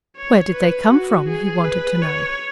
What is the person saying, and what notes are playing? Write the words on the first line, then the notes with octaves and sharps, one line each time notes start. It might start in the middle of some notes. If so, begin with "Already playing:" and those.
"Where did they come from?" he wanted to know.
C#5
B4
F#4
G#4
B4
C#5